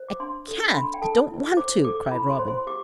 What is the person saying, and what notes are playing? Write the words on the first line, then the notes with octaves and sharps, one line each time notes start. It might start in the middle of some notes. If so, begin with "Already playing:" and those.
"I can't--I don't want to," cried Robin.
Already playing: C5
D6
D4 C6
A4
B5
D4 C6
G5
A4 A5
E4
C5 D6
A4 D6
E4 B5
C6
C5
C6
G4 D6